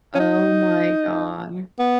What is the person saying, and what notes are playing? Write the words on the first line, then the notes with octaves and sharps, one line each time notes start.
Oh my god.
C#4
D#4
B3